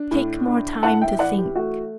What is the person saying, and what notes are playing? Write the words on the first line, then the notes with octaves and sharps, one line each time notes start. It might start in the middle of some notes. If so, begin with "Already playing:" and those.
Take more time to think.
Already playing: D4
A2
D4
A2 F#5 A5
E5 G5
E3 D5 F#5
G4
A3 F#4